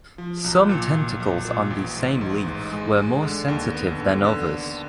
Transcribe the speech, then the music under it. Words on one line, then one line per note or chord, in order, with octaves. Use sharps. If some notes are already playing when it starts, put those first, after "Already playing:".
Some tentacles on the same leaf were more sensitive than others.
F3
B1
A#2
A#2
B1
A#2
A1
G#2
A1
G#2
G#3
G#3
D3
D#2
B3
D3
D3
D3